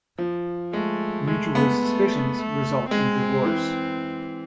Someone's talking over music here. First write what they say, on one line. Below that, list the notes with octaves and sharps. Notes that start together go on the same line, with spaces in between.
Mutual suspicions result in divorce.
F3
G#3 A3
G#3 A3
B3
A3
A3
G#3 C4
E3